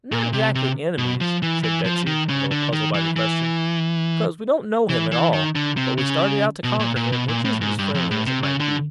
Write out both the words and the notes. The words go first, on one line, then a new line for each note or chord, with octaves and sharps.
"Not exac'ly enemies," said Betsy, a little puzzled by the question, "'cause we don't know him at all; but we started out to conquer him, which isn't as friendly as it might be."
A#2
C3
C3
B2
F3
E3
E3
F3
D#3
C#3
D3
D#3
E3
E3
E3
E3
D#3
D3
C3
C#3
B2
A#2
A#2
B2
A#2
A2
G#2
G2
F2
A2
C3
C#3
D3